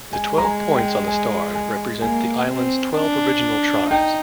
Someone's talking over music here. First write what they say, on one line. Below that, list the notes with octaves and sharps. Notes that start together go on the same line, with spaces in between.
The twelve points on the star represent the island's twelve original tribes.
G#3 G#5
A#5
G#5
G5
G#5
G#5
A#3 G#5
C4
D4
D#4 G5